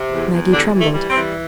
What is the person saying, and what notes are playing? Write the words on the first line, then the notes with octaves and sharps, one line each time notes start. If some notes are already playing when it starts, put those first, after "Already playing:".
Maggie trembled.
Already playing: C3
E2
E2
D3 G3 D4
E3
A3
G3
C4
E3